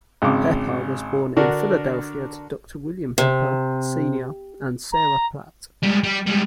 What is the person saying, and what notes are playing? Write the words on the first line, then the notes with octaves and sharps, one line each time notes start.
Pepper was born in Philadelphia to Doctor William Pepper, Senior and Sarah Platt.
G#1 C#3 D6
D3 D4 F#4 A#4
C3
A#5
G3 G#3
G3
G3 G#3